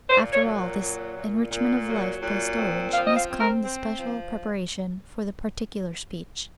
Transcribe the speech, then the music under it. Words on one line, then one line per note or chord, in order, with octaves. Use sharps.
After all this enrichment of life by storage, must come the special preparation for the particular speech.
A#2 C5
C#5
F#3
A#2
A#2
A#2
F#3
A#2
C4
F3 F5
D#5
F5
C4
A#4
C4
F3